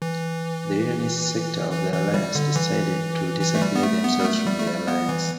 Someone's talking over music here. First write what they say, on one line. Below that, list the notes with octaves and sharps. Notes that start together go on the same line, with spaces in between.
The Unionist sector of the alliance, decided to disaffiliate themselves from the Alliance.
E3
E3
E3
G3
D3
E3
E3
A3
G3
B3
A3
B3
G3
A3
G3
A3
G3
B3
E3